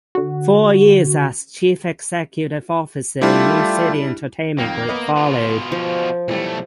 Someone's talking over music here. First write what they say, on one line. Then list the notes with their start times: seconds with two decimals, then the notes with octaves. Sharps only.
Four years as chief executive officer of New City Entertainment group followed.
0.15 D3 F#4
3.22 G3 A3 D4 E4 F4 G4
4.58 F2 D#3 A#3
4.89 B3 B4 D#5
5.17 B2 F4
5.72 F3
6.28 B1 E3 G3 A3